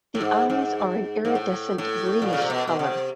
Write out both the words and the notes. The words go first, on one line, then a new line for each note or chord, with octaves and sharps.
The eyes are an iridescent greenish colour.
A2
G#2
G#2
G#2
A2
A2
A#2
C#3
C3
B2
B2
C3